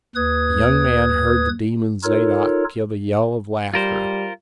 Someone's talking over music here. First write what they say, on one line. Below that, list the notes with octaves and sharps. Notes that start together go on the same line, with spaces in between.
The young man heard the Demon Zadok give a yell of laughter.
D#2 B4 D#6 G#6
D#4 F4 A4 A#4 C#5
G3 F4 A#4 C5